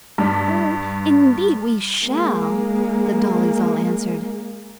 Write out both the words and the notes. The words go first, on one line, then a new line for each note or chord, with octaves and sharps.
"Oh, indeed we shall!" the dollies all answered.
G2 D5 B6
G#3 A#3